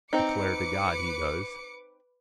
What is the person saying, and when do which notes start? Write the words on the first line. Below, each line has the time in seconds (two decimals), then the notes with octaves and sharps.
Declare to God he does.
0.13 C4 D#4 B4 D6 C#7